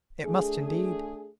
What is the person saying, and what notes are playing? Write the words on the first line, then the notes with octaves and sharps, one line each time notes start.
It must indeed.
A3 D4 G#4